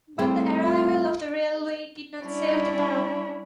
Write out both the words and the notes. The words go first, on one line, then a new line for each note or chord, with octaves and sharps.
But the arrival of the railway did not save the town.
A2 G3 C4 G#4
F4 E5
G3 C#4 D4 E4